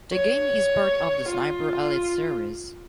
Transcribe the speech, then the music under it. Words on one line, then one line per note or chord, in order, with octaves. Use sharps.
The game is part of the Sniper Elite series.
C#5
F4